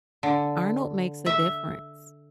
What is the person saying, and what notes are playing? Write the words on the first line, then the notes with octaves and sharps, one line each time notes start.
Arnold makes a difference.
D3
E5